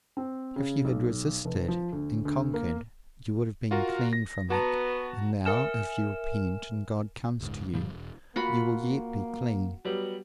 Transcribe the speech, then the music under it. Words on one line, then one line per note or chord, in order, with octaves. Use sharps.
If you had resisted and conquered, you would have been clean from it; and now, if you repent and God comes to you, you will yet be clean.
C4
C#3
B1
F1
F3
D2
D2
A#3
F4 F#4 A#4
A#6
B3 F#4 A5 A#5
A#4 E5 G#5 F6 E7
F#1 C#2 G#2
A2 D3 F3 G3
E1
A#3 F4 F#4 B5
F#3 G3 B3